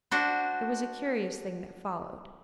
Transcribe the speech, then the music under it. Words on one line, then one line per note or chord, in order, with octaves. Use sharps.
It was a curious thing that followed.
D4 F#4 C5